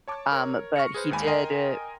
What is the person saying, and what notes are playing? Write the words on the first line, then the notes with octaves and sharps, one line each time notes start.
um, but he did, uh,
C#5 A5 D6
A#4 C#5
C#6 F6 A#6 C#7
G#4 B4 C5
G#1 D#2 G#2 G#5 B5
A#4 D#5 G5 G#5 A#5 C6